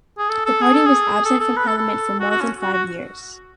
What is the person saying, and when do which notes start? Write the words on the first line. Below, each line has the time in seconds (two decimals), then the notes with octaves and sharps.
The party was absent from parliament for more than five years.
0.18 G#4
0.29 A4
0.46 A4
0.61 G#4
0.74 A4
0.86 G#4
1.25 A4
1.40 A4
1.57 B4
1.67 A4
1.78 A4
2.20 F#4
2.30 F#4
2.41 C#4
2.62 F#4
2.73 F#4